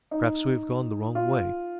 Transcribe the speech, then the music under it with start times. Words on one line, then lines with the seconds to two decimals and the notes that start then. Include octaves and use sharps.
"Perhaps we have gone the wrong way."
0.11 D#4
1.15 F4